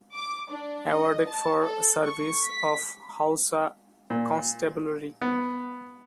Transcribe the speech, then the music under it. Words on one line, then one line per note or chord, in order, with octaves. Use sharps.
Awarded for service of Hausa Constabulary.
D6
D4
D#5
A5
A4
C#6
B6
A#2
B3